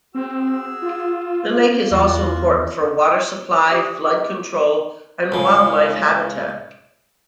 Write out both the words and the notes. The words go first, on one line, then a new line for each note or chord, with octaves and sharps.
The lake is also important for water supply, flood control, and wildlife habitat.
C4 F#4 G#4 E6
F4
A#3
E2 F4 F#4
F4 G4 D5 G5 D6 D#6
E4 G#4 A#4 A#5 D6
C#2 C#3